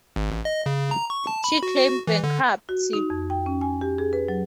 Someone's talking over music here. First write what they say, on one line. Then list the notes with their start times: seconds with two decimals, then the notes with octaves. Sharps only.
She claimed bankruptcy.
0.16 G#1
0.31 A1
0.45 D#5
0.66 C#3
0.91 A#5
1.10 C#6
1.27 A5
1.44 B5
1.63 F#4
1.78 F#4
2.07 E3
2.24 D3
2.69 F#4
2.93 D#4
3.10 F2
3.30 G5
3.46 C#4
3.61 G#5
3.81 G4
3.98 G#4
4.13 B4
4.28 F#3